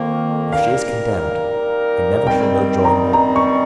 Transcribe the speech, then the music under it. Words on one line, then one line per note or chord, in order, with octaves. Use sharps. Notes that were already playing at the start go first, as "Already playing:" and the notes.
If she is condemned, I never shall know joy more.
Already playing: F2 D#3 A#3
G3 A#3 D#4 A#4 F5
D#3 G3 C4 G5
A#5
A#5
C#6